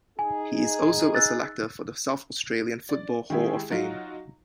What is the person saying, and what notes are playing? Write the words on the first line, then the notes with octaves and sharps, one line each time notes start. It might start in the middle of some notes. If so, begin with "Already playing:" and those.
He is also a selector for the South Australian Football Hall of Fame.
D#4 G#4 G#5
E6 F#6 A6
D5
D#3 G#3 E4 G4 G#4
F#3 D#4 F4 F#4